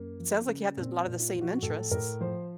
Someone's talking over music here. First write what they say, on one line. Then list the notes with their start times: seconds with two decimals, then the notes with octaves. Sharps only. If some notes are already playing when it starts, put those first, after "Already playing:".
sounds like you have the a lotta the same interests.
Already playing: F#2 A#3
0.20 F3
0.47 C#3
0.77 A#2 C4
1.06 A#2
1.19 F4
1.35 F3
1.41 F#4
1.62 A2 A4
1.91 A2 A#4
2.21 F3 C5